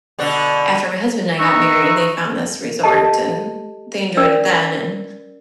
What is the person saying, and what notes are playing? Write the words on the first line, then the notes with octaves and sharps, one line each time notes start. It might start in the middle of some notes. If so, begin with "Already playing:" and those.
after my husband and I got married, they found this resort, and they enjoyed it then, and
B2 D3 D4
E3 D#4 B4 D#5 C#6 E6
G4 A4 D#5 A5
C#4 A#4 D5 E6